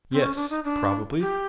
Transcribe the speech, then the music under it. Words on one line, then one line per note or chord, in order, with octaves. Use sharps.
Yes, probably.
C4
C#4
D4
D#4
D4
G4